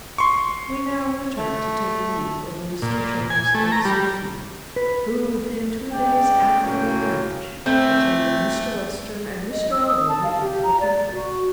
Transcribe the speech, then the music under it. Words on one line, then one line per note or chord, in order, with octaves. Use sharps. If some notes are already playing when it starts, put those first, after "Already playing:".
We now return to take leave of Mr Jones and Sophia, who, within two days after their marriage, attended Mr Western and Mr Allworthy into the country.
C6 C#6
A3
A#2
G#5
A3
A#5
G3
B4
C#3 G#3 D5 G5
A2 C#3 F#3 A#3 C#4 G5
E3 A3 C4
D#5
E6
D#6
A5
F5
G4
A#5
D5
F#4